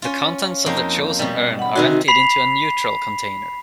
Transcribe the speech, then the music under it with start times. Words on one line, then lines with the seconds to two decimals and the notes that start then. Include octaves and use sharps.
The contents of the chosen urn are emptied into a neutral container.
0.02 C#4 F4
0.66 F2 A#3 D#4
1.19 B2 G3
1.59 F#5 B5
1.75 C3 D#3 D#4 F#4 G#5
2.08 B5 B6 C7 F7